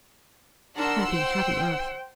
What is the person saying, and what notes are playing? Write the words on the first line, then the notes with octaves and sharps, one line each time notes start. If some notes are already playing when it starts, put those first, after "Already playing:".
Happy, happy earth!
D4 A#4 F#5 C6 E6
C5 G5